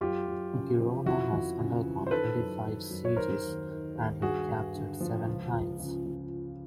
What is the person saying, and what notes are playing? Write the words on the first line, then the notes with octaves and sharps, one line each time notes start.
Girona has undergone twenty-five sieges and been captured seven times.
F#2 F4 G4
F#2
C#3
F3
F2 E4 F#4
F2
C#3
E3
C5
D#3 A4 B4
F#2
D#3
F#2
C#5
D#3 A#4 C5
D#2
D#3
D#2
G2 F#4 G#4
G2
D3
F3
C#2
C#2
C#3
F3